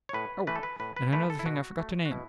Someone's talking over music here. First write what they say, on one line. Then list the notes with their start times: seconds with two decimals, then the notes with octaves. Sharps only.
Oh! and another thing I forgot to name!
0.09 C#5
0.13 A2 B4
0.47 E3 A3 B4
0.56 A4
0.63 B4
0.80 A2 B4
0.96 B4
1.13 E3 A3 B4
1.30 A4
1.39 E4
1.45 B2 F#4
1.79 A3
2.05 F#4
2.11 B2 E4